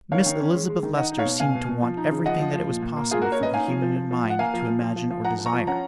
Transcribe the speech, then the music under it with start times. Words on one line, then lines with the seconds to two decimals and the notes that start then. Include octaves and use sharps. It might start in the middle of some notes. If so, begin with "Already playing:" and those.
Miss Elizabeth Lester seemed to want everything that it was possible for the human mind to imagine or desire.
0.12 D#3 C#5 F5
0.26 D#3
0.40 C#4
0.54 G#3
0.69 G#3
0.83 D#3
0.97 D#4 D#5 F#5
1.12 D#4
1.19 C#5 F5
1.25 B2
1.40 B2 F5 G#5
1.54 B2
1.69 B2
1.83 F3
1.97 D#4
2.11 C#3
2.26 F3 D#5 F#5
2.40 F3
2.54 F3
2.68 A#2
2.82 A#2
2.97 A#3
3.11 A#3 F4 G#4
3.22 F#4 A#4
3.25 A#3
3.32 A#4 C#5
3.40 C#4 B4 D#5
3.54 D#4 F5 G#5
3.68 F3
3.82 F3
3.96 F3
4.11 F3
4.25 F3
4.30 F#5
4.39 A#3 F5 G#5
4.54 F3
4.68 F3
4.82 F3
4.96 F3
5.10 F3
5.24 F3 F#5 A#5
5.39 F3
5.46 A#5 C#6
5.53 F3
5.67 C#4 F#5 A#5